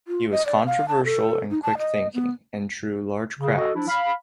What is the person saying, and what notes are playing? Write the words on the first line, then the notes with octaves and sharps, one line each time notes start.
He was controversial and quick-thinking, and drew large crowds.
F4
D#5
D5
F5
A5
A4
D#4
A5
D#5
B3
C#3
F#4 A4 D#5
F3 D4 E4
F5 B5